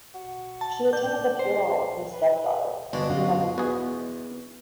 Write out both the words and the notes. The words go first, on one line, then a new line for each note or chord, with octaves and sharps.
She attended the funeral with her step daughter, Fatima Bhutto.
F#4
A5
D4 G6
C5
B4
G1 B2 G#3 D4
F#2 D3 F4 F#4
E2 B3 F#4 G#4